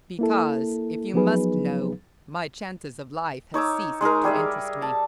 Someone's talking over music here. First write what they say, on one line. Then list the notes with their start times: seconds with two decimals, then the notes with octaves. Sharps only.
"Because--if you must know, my chances of life have ceased to interest me."
0.19 A#3 E4 A4
1.14 F3 F#3 B3 D#4 G#4 B4
3.54 D#4 C#5 D6 E6
4.01 G#3 D#4 G#4 A#4
4.24 G3 G#4 D5 E5
4.82 A5